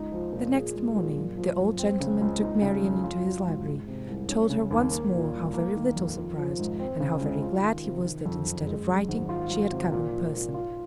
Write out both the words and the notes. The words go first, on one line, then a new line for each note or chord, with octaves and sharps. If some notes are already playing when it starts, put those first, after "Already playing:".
The next morning, the old gentleman took Marian into his library, told her once more how very little surprised, and how very glad he was that instead of writing, she had come in person.
Already playing: C#2 D#4
F3
A#2
G#4
G#3
A#2
F#2
F3
F#2
C4
C#3
C#2
D#4
C#3
F2
F4
F#3
G#2
G#3
C3
C2
C#4
C#3
D#2
A#3
A#2
C2
A#3
D#3
F2
F4
F3
G#2
C4
C#3
C#2
F4
D#3
C3
D#3
F2
F#1
G#3
F#2
G#1
F4
F#3
C3
A#2
F3
A#2
F4